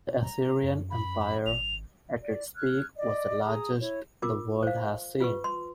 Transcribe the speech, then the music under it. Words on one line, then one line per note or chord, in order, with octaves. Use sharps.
The Assyrian Empire, at its peak, was the largest the world had seen.
A#5
F#2
B5
G#1 F7
D5
F6 F#6 G#6
D5 D#5
G#4 A#5 D#6
E4 C#5
F4 A#4 D6
C5 F5
F4 B4 C#6
C6